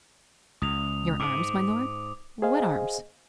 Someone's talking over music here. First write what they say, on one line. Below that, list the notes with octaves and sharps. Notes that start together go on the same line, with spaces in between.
"Your arms, my lord--what arms?"
C#2 D#6 F7
G#2 D6
G#4 C5 D#5 F5 G#5